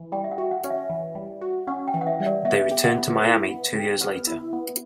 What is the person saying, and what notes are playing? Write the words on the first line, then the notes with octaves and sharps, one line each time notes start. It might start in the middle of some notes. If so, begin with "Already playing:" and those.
They returned to Miami two years later.
Already playing: E3
G3 G5
E5
F#5
F#4
F#5
C#4
E5
E3
G3
F#4
C#4 F#5
G5
E3
F#5
E5
G3
D5
B3 E5
G4
F#5
B3
E4
B3
G4
B3 B4
E4
B3